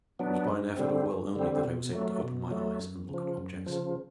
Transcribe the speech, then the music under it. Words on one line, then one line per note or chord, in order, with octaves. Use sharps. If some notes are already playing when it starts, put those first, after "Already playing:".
It was by an effort of will only that I was able to open my eyes and look at objects.
F#3 B3 D4
G2
D3 G3 C4
G2
D3 G3 C4
B2
F#3 A3
B2
F#3 A3
F#2
C#3 F3
F#2
C#3 F3